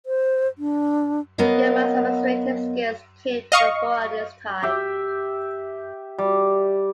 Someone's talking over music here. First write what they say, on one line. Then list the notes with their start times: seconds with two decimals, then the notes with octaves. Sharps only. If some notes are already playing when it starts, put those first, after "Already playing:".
Gilman's administrative skills came to the fore at this time.
0.06 C5
0.58 D4
1.38 F#3 B3 A#4 D#5 F5
3.52 D#5 F5 C#6
4.63 G4 E5 G5
6.18 G3